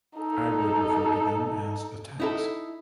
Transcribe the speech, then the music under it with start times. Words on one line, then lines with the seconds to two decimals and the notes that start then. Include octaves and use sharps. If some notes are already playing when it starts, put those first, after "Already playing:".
I would refer to them as attacks.
0.17 D#4 A4
2.20 D#4 E4 A4